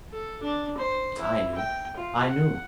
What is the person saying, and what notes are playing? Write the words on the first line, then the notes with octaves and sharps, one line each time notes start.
But I knew, I knew!
A4
D4
C5
E4
G5
F4
F#5